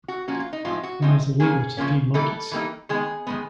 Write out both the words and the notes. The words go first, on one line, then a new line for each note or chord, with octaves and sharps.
It is illegal to feed monkeys.
F#4
A#2 F3 A#3 C#4 F#4
F4
D#4
A2 F3 G#3 C4 D#4 F4
F#4
A2 F3 G#3 C4 D#4
C#3 F3 A#3 C#4 G#4
C#3 F3 A#3 C#4
E3 G3 A#3 D#4 A4
E3 G3 A#3 D#4
D#3 G#3 B3 G#4
D#3 G#3 B3